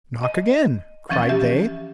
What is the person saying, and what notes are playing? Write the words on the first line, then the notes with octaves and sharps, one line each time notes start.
'Knock again!' cried they.
D#5
D2 E3 F3 C#4 F5 A6
G4 E5